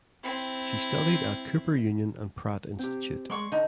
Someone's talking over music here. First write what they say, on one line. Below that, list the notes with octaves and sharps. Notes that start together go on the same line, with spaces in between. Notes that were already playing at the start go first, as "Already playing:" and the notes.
She studied at Cooper Union and Pratt Institute.
C4 E4
C4 G4
G#3 D5 C6 C#6
D3 D#4 A5